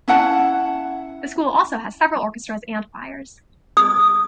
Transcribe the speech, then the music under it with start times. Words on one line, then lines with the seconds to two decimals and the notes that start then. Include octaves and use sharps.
The school also has several orchestras and choirs.
0.08 C#4 E4 F#5 A5
3.77 D#6